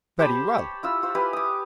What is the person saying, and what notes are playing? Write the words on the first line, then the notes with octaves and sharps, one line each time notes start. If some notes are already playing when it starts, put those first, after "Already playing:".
Very well!
G4 C5 A5 B5
C#5
E4 F4 E6
F4 C5
E4 G4 B4 G#5
D6 D#6